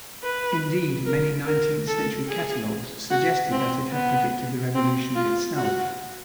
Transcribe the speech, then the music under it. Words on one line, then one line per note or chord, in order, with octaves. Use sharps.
Indeed, many nineteenth-century catalogues suggested that it had predicted the Revolution itself.
B4
A#4
A#4
A4
G#4
F#4
C4
B3
C4
F4
F#4